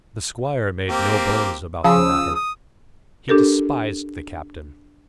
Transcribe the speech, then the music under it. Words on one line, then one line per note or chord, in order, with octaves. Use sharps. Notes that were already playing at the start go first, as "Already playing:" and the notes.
The squire made no bones about the matter; he despised the captain.
A#3 C4 G4
C#3 F3 D#6 E6
D#6
D4 G4 A4 A#4